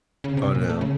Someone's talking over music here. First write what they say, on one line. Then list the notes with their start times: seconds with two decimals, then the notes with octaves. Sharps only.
Oh, no.
0.24 C#3
0.37 C3
0.55 A#2
0.69 A3
0.81 C#3